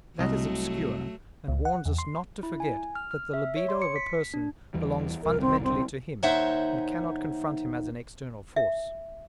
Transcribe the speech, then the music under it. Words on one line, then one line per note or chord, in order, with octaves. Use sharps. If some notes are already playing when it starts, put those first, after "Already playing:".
That is obscure and warns us not to forget that the libido of a person belongs fundamentally to him and cannot confront him as an external force.
C2 F#3 A3 D#5
C#2
F#5
E2
C6
E4
G#5
F6
F6
E5
C#5
C6
C#7
B6
D4
E2 E3 G3
E1 C2 A#4
C4
C4
D#2 D#4 C5 C#5 E5 F#5
E5